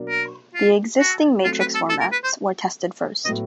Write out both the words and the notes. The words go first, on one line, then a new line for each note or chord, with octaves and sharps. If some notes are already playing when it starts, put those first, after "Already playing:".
The existing matrix formats were tested first.
Already playing: B2 F#3 A#3 D4
A#4
F4
F#4
F#3 A3 C4 F4
B4
A4
A4
A#4
B4
C5
A2 F#3 B3 D#5